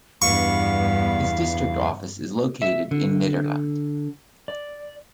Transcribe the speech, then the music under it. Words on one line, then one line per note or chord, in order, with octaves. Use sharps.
His district office is located in Nederland.
E2 G2 B3 F5 C#6
E5
D3
D5